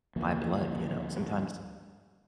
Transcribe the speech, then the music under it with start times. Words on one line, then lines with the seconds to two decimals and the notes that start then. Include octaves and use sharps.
by blood, you know? Sometimes
0.16 D2 F3 A#3